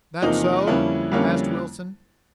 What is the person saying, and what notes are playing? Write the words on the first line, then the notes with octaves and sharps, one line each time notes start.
"That so?" asked Wilson.
E2 C3 F3 A#3 D#4
F2 D3 G3 A#3 C#4 E4
F2 D3 G3 A#3 C#4